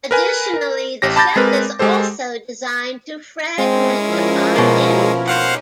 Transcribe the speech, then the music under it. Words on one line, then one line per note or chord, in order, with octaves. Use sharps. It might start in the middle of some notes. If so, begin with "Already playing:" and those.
Additionally, the shell is also designed to fragment upon impact.
A#4 B4 G#5
A#4
A1 G4 A#6
A5 B5 D6 G6 A6 A#6
G#3 C4 A#4 B4
G#3 G4 A4 C5
G#3 C4 C#4 E4 A#4
F3
B2 A#3
C#4 D#4 G4 C5 F5 F#5